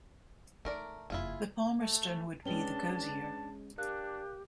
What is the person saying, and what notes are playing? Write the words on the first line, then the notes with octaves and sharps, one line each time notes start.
The Palmerston would be the cosier.
A3 D#4 A#4 D5
F#1 F2 E4 F4 G#4
A3
G#3 C#4 D4 B4 G5 A5 G7
D4 G4 A#4 F5 F#6